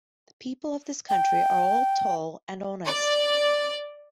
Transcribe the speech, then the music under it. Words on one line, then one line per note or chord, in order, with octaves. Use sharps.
The people of this country are all tall and honest.
G5
D5